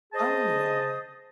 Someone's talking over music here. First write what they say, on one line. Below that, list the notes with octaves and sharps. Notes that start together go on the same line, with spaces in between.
Oh, yeah.
G#4 C5 D#5 A5 D#6